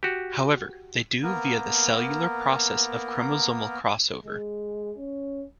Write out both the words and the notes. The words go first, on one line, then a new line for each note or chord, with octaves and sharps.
However, they do, via the cellular process of chromosomal crossover.
F#4 G4
A#3 B3 A#4
G#3
C#4